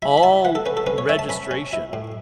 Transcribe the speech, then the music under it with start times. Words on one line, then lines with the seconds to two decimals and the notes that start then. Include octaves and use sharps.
all registration,
0.02 E4 B5
0.18 B5
0.23 E4 A5
0.45 E3 F#5
0.55 A4
0.66 C#4 B4
0.77 A4
0.87 C#4 B4
0.98 C#5
1.09 C#4 E5
1.19 A5
1.29 C#4 B5
1.51 C#4
1.73 E4
1.93 A2